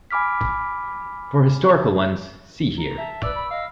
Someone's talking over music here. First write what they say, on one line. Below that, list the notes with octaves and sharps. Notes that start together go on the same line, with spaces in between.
For historical ones, see here.
G#5 B5 D6 F6 B6
A#5
E5 A5
B4 D5 E6
B5
D#5 F5